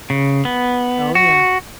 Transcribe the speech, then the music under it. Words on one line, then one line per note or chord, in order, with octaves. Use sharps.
Oh, yeah.
C#3
B3
F#4